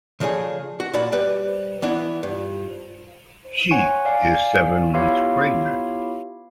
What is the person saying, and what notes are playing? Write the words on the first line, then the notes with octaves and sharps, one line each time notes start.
She is seven months pregnant.
C#3 F3 A3 D4 G#4
F#4
A#2 F#4 D5 A5 B5
G3 B4 D5
E3 B3 D4 E4
G2
C#5 F#5 G#5 C#6
D5 F5 G#5
B3 E4 F4 G4 C#5 F5